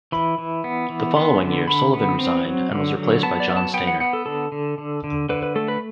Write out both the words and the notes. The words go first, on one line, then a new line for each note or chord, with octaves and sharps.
The following year Sullivan resigned, and was replaced by John Stainer.
E3 B5
E3
B3
E3
B3 C6
D3
D3 B5
B3
C4
F#3
D3
F#3
B3 A5
D5
F#3
A5
B3 G5
F#5
B3 F#5
A4
D3 A4
D3
D3
D3
D3 B4
B4
A3 A4
B4